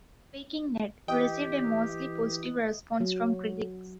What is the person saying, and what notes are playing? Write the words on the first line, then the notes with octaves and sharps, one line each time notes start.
"Waking Ned" received a mostly positive response from critics.
E3 G4 D#5 G5
F#3